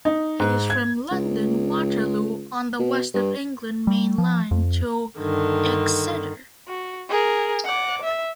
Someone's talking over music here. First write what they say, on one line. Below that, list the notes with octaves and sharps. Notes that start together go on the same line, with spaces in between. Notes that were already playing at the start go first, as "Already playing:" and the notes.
It is from London Waterloo on the West of England Main Line to Exeter.
D#4
G#2
G#6
C#2
B2
G2
G3
F3
F2
G2 D3 D#3
F#4
G#4 A#4
F#5 D6
E5